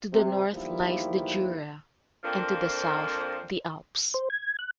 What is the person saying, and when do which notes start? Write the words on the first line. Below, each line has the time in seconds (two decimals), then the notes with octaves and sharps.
To the north lies the Jura and to the south the Alps.
0.13 C3
0.54 E2 D#3 F3 G3 A#3 E4
2.24 F2 F3 A#3 C4 D4
4.14 C5
4.30 G#6
4.59 F#6